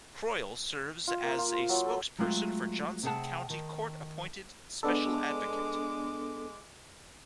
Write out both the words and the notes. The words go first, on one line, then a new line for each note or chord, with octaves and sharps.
Croyle serves as a spokesperson for Johnson County Court Appointed Special Advocate.
F4
A#3
F4
C5
F#3
A4
F#3 G#3 A3 C4 F4
C3 C4 G#4 C5 F#5 A5
D#3
G#3 B3 D4 A4 D6